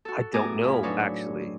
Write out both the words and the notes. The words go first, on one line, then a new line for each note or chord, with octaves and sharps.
I don't know, actually.
F#4 A4
A2 B3 G#4 G#5 A#5 D6
F2 B5
F#3 D4 D#4 B4 C#5